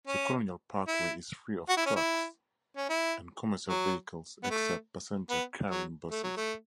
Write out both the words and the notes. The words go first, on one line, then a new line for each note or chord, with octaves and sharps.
The Colonial Parkway is free of trucks and commercial vehicles except passenger-carrying buses.
C#4
E4
F#4
E4
C#4
E4
C#4
E4
F#3
B3
A3
B3
F#3
A3
F#3
A3